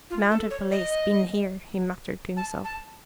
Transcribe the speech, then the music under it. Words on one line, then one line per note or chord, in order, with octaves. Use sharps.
"Mounted police, been here," he muttered to himself.
F4
A4
C#5
D#5
A5
A5